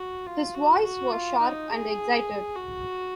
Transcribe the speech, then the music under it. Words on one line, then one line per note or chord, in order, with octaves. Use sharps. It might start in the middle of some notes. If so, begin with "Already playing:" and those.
His voice was sharp and excited.
Already playing: F#4
F4
F#4
F#4
F4
D#4
G#4
F#4